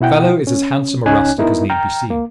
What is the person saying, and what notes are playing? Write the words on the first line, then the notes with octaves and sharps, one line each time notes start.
The fellow is as handsome a rustic as need be seen.
B2 E4 F#5 G5
C#4
C#2 C#4 D#4 C#5 G#5 F#6
B3 D#4 E4 A#4
G5 A#5 F6
A#3